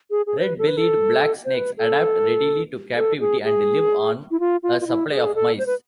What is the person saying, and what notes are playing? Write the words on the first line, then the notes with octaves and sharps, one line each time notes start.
Red-bellied black snakes adapt readily to captivity and live on a supply of mice.
G#4
G#4
C5
B4
A4
B4
A4
C5
B4
A4
A4
G#4
G#4
E4
F4
F4
F4
E4
G#4
A4
G#4
A4
C5
B4